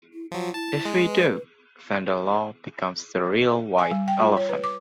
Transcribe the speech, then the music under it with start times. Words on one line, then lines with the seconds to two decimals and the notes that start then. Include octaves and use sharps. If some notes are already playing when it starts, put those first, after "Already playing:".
If we do, then the law becomes the real white elephant.
0.14 E4
0.32 F3 F#3 F4
0.54 E4 A5
0.85 G#3
1.05 B4
3.79 G#5
3.91 G3
4.08 G5
4.20 F4
4.37 C#5
4.49 B4
4.64 D6